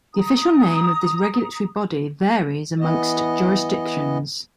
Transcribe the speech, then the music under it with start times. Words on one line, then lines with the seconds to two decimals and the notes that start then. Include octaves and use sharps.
The official name of this regulatory body varies among jurisdictions.
0.14 A#5 D#6
2.80 E3 B3 D#5